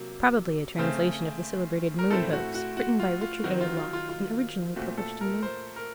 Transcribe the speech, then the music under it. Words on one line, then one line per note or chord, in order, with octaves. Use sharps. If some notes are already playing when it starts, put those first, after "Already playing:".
Probably a translation of the celebrated Moon hoax, written by Richard A. Locke, and originally published in New York.
Already playing: C3 F#3 A#3
C#3 A3 C4
A#4
A2 A3 C4 A4
F#4
F#4
F#4
F4
F4
D#3 F#3 C4 F#4
F4
F4
F4
F4
A#2 A3 C4 F#4
A4
A#4
C5
A#4